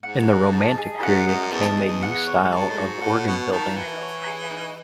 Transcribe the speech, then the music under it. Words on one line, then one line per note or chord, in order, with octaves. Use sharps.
In the Romantic Period came a new style of organ building.
G#2 F#5
D#5
A5
G#4
F#2 F#5
F#2 D#5
E2 A5
E2
G#4
E2
F#5
C#5
F#2 A5
A2
G#2 F#4
A2 F#5
B2 C#5
D#3 A5
E3 F#4
C#5
G#4
D#4